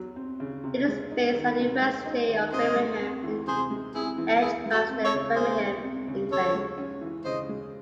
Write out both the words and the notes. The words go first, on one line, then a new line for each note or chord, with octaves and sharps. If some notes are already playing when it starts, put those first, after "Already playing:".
It is based at the University of Birmingham in Edgbaston, Birmingham, England.
Already playing: E2 F#3
C4
C#3
C3
G#3
D#4
D#3
C3
G#3
D#4
D#3
C3 C5 D#5
G#3
C4
E3
C3 G#4 C5
G#3
C4 E4 G#4
E3
E2 E4 G#4
G#3
F#4 A4
C4
A4 C#5
C#3
E2 G#4 C5
G#3
C4
C#3
C#3 A4 C#5
G#3
C#4
E3
C#3 C5 D#5
G#3